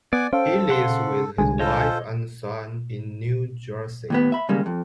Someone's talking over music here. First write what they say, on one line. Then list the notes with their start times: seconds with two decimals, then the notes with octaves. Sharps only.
He lives with his wife and son in New Jersey.
0.13 B3 D5 F#5 G#5 D6
0.33 C#4 A4 C5 F5 G5
0.69 C#3 F#5 C6
1.38 C2 D3 G#3 G#5
1.59 F4 A4 C5 C#5 D#5 E6
4.10 D#2 A2 B3
4.32 E5 B5
4.49 D#2 C#3 G3 G#3 A#3
4.66 F2